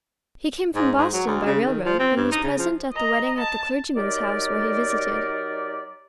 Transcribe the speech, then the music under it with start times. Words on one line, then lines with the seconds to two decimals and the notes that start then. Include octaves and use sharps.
He came from Boston by railroad, and was present at the wedding at the clergyman's house where he visited.
0.75 G#2
0.98 G#2
1.13 F#3
1.27 D2
1.46 C#3
1.66 D#3
1.85 F3
1.99 C4
2.16 G2
2.31 D#4
2.43 C#3
2.58 F3
2.92 D#5 A#5
3.38 A5
3.95 F#3 D#4 G4 A#4 D5